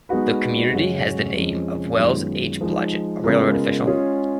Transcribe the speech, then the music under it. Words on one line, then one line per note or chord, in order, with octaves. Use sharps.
The community has the name of Wells H. Blodgett, a railroad official.
G#3 B3 D#4 F#4 B4
F#2 C#3 G#3 C#4 F#4
F2 F3 G#3 C#4
F#2 D#3 G#3 B3 F4
F3 G#3 D#4
C#3 G#3 B3 F4 A#4
G#3 C#4 F4 G#4 C#5